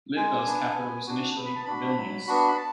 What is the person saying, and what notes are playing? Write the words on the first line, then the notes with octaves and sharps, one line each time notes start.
Litbel's capital was initially Vilnius.
G#3 G#5
B3 D4
B3
D4 F#4
B3
B5
A5
D4 F#4 B5
F#3
B3 D4 F#4
B5
A5